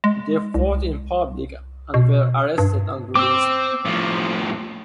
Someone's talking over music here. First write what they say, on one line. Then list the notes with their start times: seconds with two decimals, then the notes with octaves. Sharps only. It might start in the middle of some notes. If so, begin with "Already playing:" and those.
They fought in public and were arrested and released.
0.04 G#3
0.54 C2
1.94 B2
2.58 G2
3.16 C4 D6 E6
3.85 A2 F3